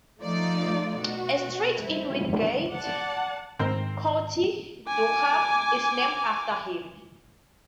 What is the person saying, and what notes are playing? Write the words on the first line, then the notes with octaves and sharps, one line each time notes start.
A street in Wingate, County Durham is named after him.
F3 A3 D#4 F4 D5
B2 F#4
G3 C4 E4
D5 F#5 A5
G#2 D#3 C4 A#4 C5
G#5 D6